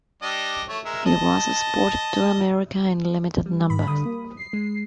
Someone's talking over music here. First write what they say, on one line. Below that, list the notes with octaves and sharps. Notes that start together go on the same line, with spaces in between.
It was exported to America in limited numbers.
G3 D4 D#5
A3 C#5
G#3 A#4 E5
D#5 A5
G3
G#2 B5
D3 D#6
A#3
C7
G#3